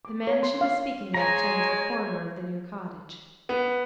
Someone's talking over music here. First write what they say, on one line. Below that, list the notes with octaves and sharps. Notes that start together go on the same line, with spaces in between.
The man she was speaking of turned the corner of the new cottage.
D6
C#5
C6
F5
G#3 C#5 G#5 A#5
B3